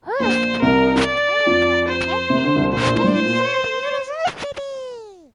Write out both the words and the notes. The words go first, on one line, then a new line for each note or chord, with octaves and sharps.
Huske has committed to attending Stanford University.
A#1 A#2 C5
C2 C3 A#4
D5
F2 F3
C5
C3
D3
C2 C3
A#1 A#2 C5
A#1 A#2
A2
G2
A2 C5
A#2